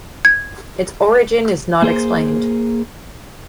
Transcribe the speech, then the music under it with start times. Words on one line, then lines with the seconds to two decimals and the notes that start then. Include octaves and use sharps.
Its origin is not explained.
0.25 G#6
1.82 A#3 G#4 C5